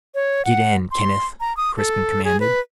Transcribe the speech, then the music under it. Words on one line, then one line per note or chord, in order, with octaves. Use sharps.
"Get in, Kenneth," Crispin commanded.
C#5
F#5
C6
A#5
D#6
A4
G#4
B4